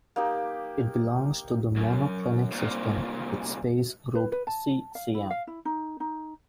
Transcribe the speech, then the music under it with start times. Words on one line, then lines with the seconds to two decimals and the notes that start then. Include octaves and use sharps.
It belongs to the monoclinic system with space group C-Cm.
0.16 A#3 D#4 G4
1.77 F#2
2.52 C2 A#2
4.15 B4
4.32 B4
4.47 A5
4.95 F5
5.14 E4
5.30 F5
5.47 E4
5.65 D#4
6.00 D#4